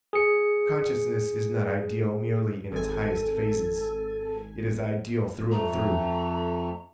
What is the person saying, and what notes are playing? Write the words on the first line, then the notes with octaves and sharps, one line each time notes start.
Consciousness is not ideal merely in its highest phases; it is ideal through and through.
G#4 C#7
G#1 A4 G#5
F2 A3 A#5